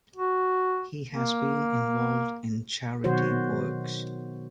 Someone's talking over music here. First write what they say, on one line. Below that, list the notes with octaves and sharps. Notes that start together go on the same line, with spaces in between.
He has been involved in charity works.
F#4
A#3
B2 D#3 F#3 F#4 C5 C#5